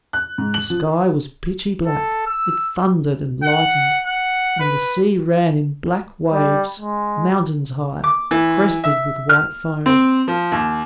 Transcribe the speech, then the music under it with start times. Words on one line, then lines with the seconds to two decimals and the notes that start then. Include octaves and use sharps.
The sky was pitchy black; it thundered and lightened, and the sea ran in black waves, mountains high, crested with white foam.
0.13 F#6
0.38 G#2
0.54 F#7
0.70 F3
1.86 A4
2.27 E6
3.44 F#5
4.06 F#5
4.60 B4
6.33 G3
6.80 G#3
8.04 D6
8.31 E3
8.84 E5
9.29 F6
9.86 C4
10.28 F3
10.52 D#2